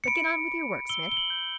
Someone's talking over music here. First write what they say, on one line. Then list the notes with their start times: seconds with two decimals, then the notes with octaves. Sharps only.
But get on with your work, Smith.
0.04 C#7
0.07 B5 D7
0.49 B5
0.89 E6 G7
1.12 G7
1.17 F#7
1.30 G6